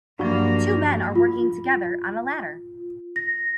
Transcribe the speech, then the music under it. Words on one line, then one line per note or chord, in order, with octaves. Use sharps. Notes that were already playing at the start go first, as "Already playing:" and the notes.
Two men are working together on a ladder.
G2 F3 F#3 A#3 D4 F#4
F4
A#6